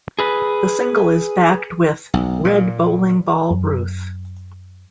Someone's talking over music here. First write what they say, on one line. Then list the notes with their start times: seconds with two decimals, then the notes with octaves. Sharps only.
The single is backed with "Red Bowling Ball Ruth".
0.19 G#4 B4
2.14 B1
2.45 A#2
3.50 F#2